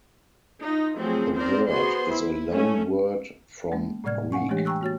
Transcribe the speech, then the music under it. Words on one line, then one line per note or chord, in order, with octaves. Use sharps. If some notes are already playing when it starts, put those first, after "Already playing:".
The word is a loanword from Greek.
D#4 F4
F3 F#3 A3 C4 G#4
C4 D#4 A#4 C5 D5
B3 F#4 G#4 C5 C6
E4
A3 C#4
G#3 A#3 C#4
A2 C3 G3 D5 F6 G#6
F5 F#5 G#5 C#6
E3 G#3 A3 D4 G4 C#5
G5 G#5 A#5 C#6 E6 F#6
A#3 F#4 C#5 A6